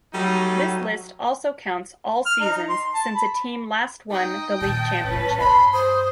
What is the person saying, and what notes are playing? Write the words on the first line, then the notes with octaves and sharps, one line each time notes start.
This list also counts all seasons since a team last won the league championship.
F#3 G3 A3 D#4
F6
D#4
C6
A5
B5
D#4 D#5 G5
A#2 D#3 A5
A2 G3 C#4 B4
G2 B5 C6
C5 D#6